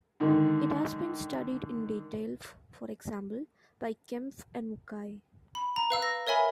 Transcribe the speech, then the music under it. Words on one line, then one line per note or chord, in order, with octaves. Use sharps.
It has been studied in detail, for example by Kempf and Mukai.
G#2 D3 D#3
B5
A#5
B4 F5 E6
A#6
A#4 C#5 E5 G#5 B5